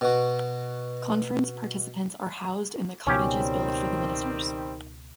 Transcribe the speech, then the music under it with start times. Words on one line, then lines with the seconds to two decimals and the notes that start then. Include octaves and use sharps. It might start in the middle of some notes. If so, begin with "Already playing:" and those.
Conference participants are housed in the cottages built for the ministers.
0.01 B2 F#4
3.07 C#2 B2 D#3 G3 C4 C#4 G4